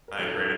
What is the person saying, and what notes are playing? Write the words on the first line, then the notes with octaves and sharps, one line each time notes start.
I agree.
A#4
F3 A#3 D#4 F#4 A4
A4